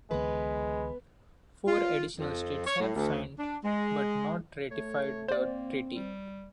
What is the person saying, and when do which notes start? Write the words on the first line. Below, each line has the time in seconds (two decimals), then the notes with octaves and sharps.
Four additional states have signed but not ratified the treaty.
0.11 C#2 D3 E3 G#3 B3 B4
1.67 F4
2.20 F2
2.67 C#5
2.80 A2
2.96 D2
3.39 D4
3.64 G#3
4.71 A3 C#5
5.28 A#3 C4 C5 D5
5.95 G3